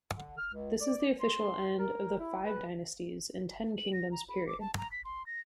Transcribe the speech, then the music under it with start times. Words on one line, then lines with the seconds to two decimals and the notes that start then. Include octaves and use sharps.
This is the official end of the Five Dynasties and Ten Kingdoms period.
0.14 D3
0.38 F6
0.53 C#2
0.80 D5
1.21 C6
1.79 A#4
2.19 E4
2.46 B4
3.77 F#7
3.93 A#6
4.11 A#5
4.29 B5
4.47 D6
4.60 A5
4.78 A#5
4.91 B6
5.05 C6
5.26 A#6